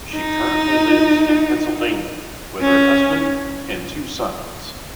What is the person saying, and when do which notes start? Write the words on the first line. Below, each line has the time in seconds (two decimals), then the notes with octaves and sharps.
She currently lives in Pennsylvania with her husband and two sons.
0.13 D#4
2.61 C#4